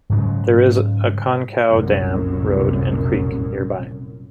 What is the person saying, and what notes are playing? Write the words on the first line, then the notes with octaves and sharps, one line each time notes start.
There is a Concow Dam, Road, and Creek nearby.
G#2 C#3 F#3 G#3
F1 C2 F#2 A#2